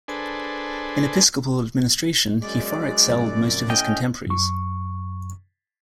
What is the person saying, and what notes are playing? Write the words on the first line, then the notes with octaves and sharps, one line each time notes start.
In episcopal administration he far excelled most of his contemporaries.
D4 G#4 A4 B4 C5
F#2 G#3 D5
G#2 C3 F3
A2 C#4 D#5 G5
F#2 C#6